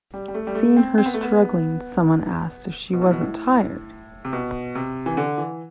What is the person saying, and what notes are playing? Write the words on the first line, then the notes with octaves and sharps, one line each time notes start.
Seeing her struggling, someone asked if she wasn't tired.
G3
G3
A3
G3
A3
C4
C4
B3
A3
B3
B2
A2
B2
A2
C3
B2
C3
E3
D3
E3